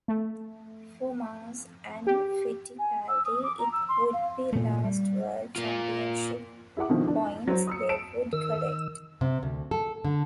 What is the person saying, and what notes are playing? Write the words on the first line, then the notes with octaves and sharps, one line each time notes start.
For Mass and Fittipaldi it would be last world championship points they would collect.
A3
G4
G#5
E6
D#6
D6
A#5
E6
C6
F5
A#2 A3
G3
A#3 F4
E4 G#4 E5 F#5 D6
B2 D3 D#3 F3
D4
F#3 C5
D#6 E6 C#7
A5 D7 E7
D#3 E6
C3
D2
A4
D3